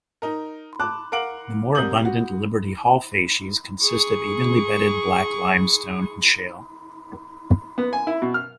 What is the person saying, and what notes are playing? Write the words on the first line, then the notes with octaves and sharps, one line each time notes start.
The more abundant Liberty Hall facies consist of evenly bedded black limestone and shale.
D#4 A#4
A5 D6 F#6
A#4 F5 F#5 D6 D7 F#7
C2 C3 A#4 D#6 G6 F#7
F#4
G#4 C#6
B3
G#5
E4
B2
F6